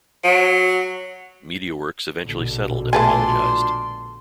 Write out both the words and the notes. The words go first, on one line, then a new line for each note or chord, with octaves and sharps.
Mediaworks eventually settled and apologised.
F#3
A#1 B2 D3
A3 D4 F4 B4 G#5 A5 C6